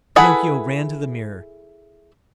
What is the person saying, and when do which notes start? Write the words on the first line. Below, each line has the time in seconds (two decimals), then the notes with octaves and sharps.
Pinocchio ran to the mirror.
0.16 E4 G#4 A4 B4 F#5